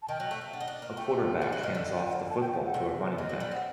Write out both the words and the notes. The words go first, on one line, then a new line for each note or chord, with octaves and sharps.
A quarterback hands off the football to a running back.
A5
D#3 G5
F#3
A3
A#3
D4 F#5
D#4
D4
A#3
A3 G5
G5
G3 F#5
F#3 D5
D#3
D5
D3
D#5
G5
F#5
A5
G5
G5
F#5
C3
A#4
C5
D5
D#3 D#5
F#3
G3
C4 F#5